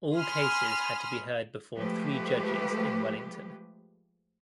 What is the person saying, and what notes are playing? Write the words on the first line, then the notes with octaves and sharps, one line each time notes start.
All cases had to be heard before three judges in Wellington.
G#5 B5 C6 D#6 F6
F3 G#3 A3 G4 B4